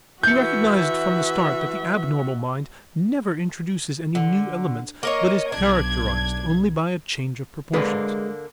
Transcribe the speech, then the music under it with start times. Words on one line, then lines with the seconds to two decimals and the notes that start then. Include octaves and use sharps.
We recognized from the start that the abnormal mind never introduces any new elements but is characterized only by a change of proportions.
0.23 E3 F#4 E5 G6 C#7
4.15 D3
5.03 A#3 A#4 C#5 D#5
5.52 B1 D4 G#6
7.73 D3 G#3 A#3 A4 B4